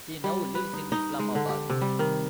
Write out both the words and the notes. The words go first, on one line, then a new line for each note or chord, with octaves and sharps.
He now lives in Islamabad.
G3
B4
D#4
D#4
G#3
D3
G4
C3
G3
D#3